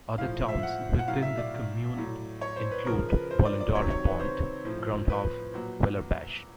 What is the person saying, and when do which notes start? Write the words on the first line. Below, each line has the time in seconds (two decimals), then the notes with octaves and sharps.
Other towns within the commune include Bollendorf-Pont, Grundhof, Weilerbach.
0.18 A2 F3 F5
0.48 E5
0.63 F#5
0.99 F#5
1.08 A2 F#3 F5
1.22 E5
1.38 D5
1.97 A2 F#3
2.41 C#5
2.56 C5
2.71 B4
2.86 C#3 F3 A#4
3.09 B4
3.31 C5
3.45 D5
3.61 D5
3.75 C3 D#3 F#3 C#5
3.90 C#5
4.05 B4
4.20 C5
4.65 A2 F3
5.10 B4
5.54 A#2 F#3